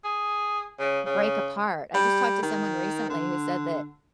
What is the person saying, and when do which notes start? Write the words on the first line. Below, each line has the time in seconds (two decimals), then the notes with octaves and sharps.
break apart. I just talked to someone recently who said that
0.04 G#4
0.79 C#3
1.06 C#3
1.95 G3
2.43 D#3
3.09 D3